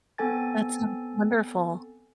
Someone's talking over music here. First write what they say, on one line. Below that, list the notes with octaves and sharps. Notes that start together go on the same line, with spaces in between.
That's sounds wonderful.
B3 C4 A4 G#5 A6